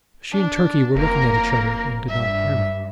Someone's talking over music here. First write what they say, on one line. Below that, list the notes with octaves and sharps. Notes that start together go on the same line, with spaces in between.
She and Turkey were looking at each other, and did not hear me.
D4
F1 A#3 A#4
G2 E5